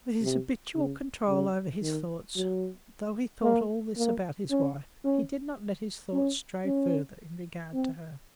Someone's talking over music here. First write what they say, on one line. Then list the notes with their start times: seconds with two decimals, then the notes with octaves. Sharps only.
With his habitual control over his thoughts, though he thought all this about his wife, he did not let his thoughts stray further in regard to her.
0.22 C3
0.75 C#3
1.28 C#3
1.82 D#3
2.36 F#3
3.43 A#3
3.97 A#3
4.50 C#4
5.04 C#4
6.12 C#4
6.65 C#4
7.73 C4